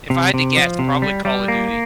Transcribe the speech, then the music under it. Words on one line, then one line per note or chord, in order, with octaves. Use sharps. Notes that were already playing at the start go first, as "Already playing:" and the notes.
If I had to guess, probably Call of Duty.
C3
C3
F3
C3
G3
G3
A#3